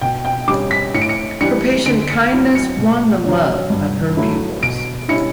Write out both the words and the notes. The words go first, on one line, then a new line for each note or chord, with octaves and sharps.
Her patient kindness won the love of her pupils.
B2 G5
G5
G3 C#4 D6
B6
A2 C#7
D7
C#7
E3 G3 D4 C#7
D3 D7
C#7
F#3 B3 E4
C#7
B2
F#3 C#4
G2
F#3 A3 E4
B2 D7
G3 C#4 E4 C#7